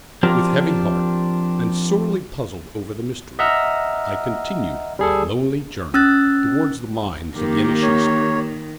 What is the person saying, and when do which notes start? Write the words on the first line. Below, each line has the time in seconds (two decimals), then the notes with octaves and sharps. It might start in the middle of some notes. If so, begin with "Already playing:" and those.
With heavy heart, and sorely puzzled over the mystery, I continued my lonely journey towards the mines of Yeniseisk.
0.23 F3 C4 D4 F4 G4 A#4
3.39 D#5 E5 F#5 A#5 E6 F6
4.99 G3 G#4 A4
5.94 C#4 E6 F#6 A6
7.36 D#3 A#3 G4
7.83 C#5